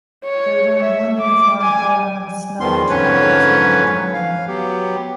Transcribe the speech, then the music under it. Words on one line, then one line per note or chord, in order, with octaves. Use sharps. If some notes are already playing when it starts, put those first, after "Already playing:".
There is only one uniform coloring of a snub trihexagonal tiling.
C#5
E5
D6
G#5
E2 D#3 F3 B3 C6
F2 G#2 D3 C#4 B4 C#5
F5
F#3 B3 G4